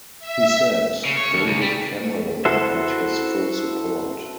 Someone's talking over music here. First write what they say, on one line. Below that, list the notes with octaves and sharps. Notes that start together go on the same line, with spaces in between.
He said David Cameron had his full support.
E5
C#3
C#5
D#2
C#2
G3
E4 F#4 A4 C5 E5